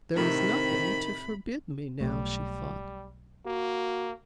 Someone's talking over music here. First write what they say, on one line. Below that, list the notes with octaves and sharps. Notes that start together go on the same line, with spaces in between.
"There is nothing to forbid me now," she thought.
A2 C3 D#3 C4 B5
B1 G3 A3
A#3 F#4